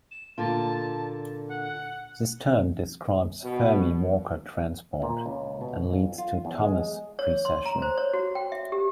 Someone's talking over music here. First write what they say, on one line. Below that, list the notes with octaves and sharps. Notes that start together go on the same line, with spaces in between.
This term describes Fermi-Walker transport and leads to Thomas precession.
E7
A#2 D3 F4 A5
F#5
B2
A#2
C#2
B2
F2
F4
E2
G#3
C#5
C6
A#5
C5
C#5
F#4
G5
E5
G4